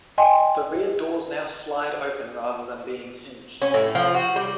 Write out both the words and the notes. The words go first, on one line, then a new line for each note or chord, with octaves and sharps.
The rear doors now slide open rather than being hinged.
D#5 G5 G#5 C6
C#4
A2
F3
F#4
G3